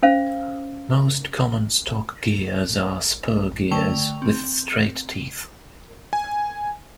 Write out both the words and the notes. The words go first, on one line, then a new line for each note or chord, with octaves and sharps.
Most common stock gears are spur gears, with straight teeth.
C#4 C5 F5
D3 A3 G5 C#6 F7
C4
G#5